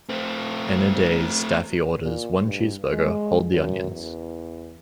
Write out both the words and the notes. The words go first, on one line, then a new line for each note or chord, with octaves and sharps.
In a daze, Daffy orders "One cheeseburger, hold the onions".
A3 C4
A#2
G2
G#3
F#2
E2